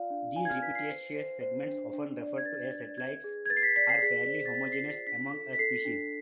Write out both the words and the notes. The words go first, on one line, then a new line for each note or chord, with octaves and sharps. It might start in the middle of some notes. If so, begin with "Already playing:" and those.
These repetitious segments, often referred to as satellites, are fairly homogenous among a species.
Already playing: F4 D5 F5
D4
F4 G#5
G#6
F6
B4 B6
C7
C5
C5
C5
D4
D4
D5
G#6
B4 A6
B4
B4 G#6
G#4
G#6
B4 A6
C7
B6
D5 B6
C7
G#4 B6
C5
A6
G#4 B6
C7
F4
D4 B6
A4
B6
A4 C7
D4